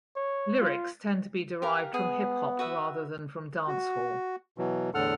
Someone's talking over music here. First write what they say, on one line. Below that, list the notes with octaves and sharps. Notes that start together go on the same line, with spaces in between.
Lyrics tend to be derived from hip hop rather than from dancehall.
C#5
F4
G4 A#4 F5
B3 G#4
F#4 B4 E5
F#4
B2 E3 F#3
E2 A2 D3 A4 F#5 F6